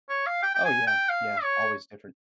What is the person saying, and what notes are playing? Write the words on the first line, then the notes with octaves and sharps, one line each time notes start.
Oh, yeah, yeah. Always different.
C#5
F5
G5
G5
G#5
G5
F5
C#5